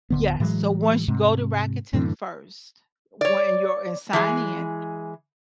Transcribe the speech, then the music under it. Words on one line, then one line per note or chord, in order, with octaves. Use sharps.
Yes, so once you go to Rakuten first, when you're and sign in,
D1 D3 B3
A2 E3 F#3 G#3
G#2 C3
F#2 A2 D3 E3
C#5 D5
E3 G#3 G#4